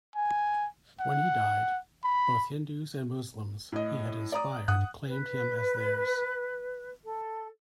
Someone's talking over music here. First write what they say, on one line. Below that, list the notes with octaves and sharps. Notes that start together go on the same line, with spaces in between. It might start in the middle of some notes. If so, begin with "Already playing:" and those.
When he died, both Hindus and Muslims he had inspired claimed him as theirs.
G#5
F#5
B5
A2 D#5
D5 A#5 D#6
G2 F#5 D#6 F#6
B4
A4